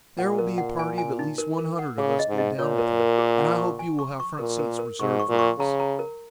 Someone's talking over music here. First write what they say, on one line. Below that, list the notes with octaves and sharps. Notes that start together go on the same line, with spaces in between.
There will be a party of at least one hundred of us go down with him, and I hope you will have front seats reserved for us.
A#2 F#5
A#4
F#5
G#5
G#5
D#4
A#4
A#4
F#5
C#3 G#4
D#5
G#2
D#5
A#2 C#5
A#4
A#4
G#4
F#5
C#6
G#5
C#6
C#6
A#2 A#4
A#4
A#4
G#2 C#6
C#6
A#2
C#6
C#3 A#5
A#5
A#4